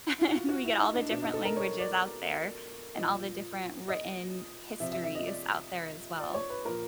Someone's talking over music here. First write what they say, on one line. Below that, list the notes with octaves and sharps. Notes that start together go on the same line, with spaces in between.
And we get all the different languages out there and all the different written histories out there, as well.
E4
F#4
F4
F#4
E4
D#4
D4
B2 D4
D#4
A4
A#4
C#5
D5
A#2 F3 D#5
D#5
C3 F3 E5
E5
E5
D#5
D5
D5
C#5
B4
A#2 F3 A#4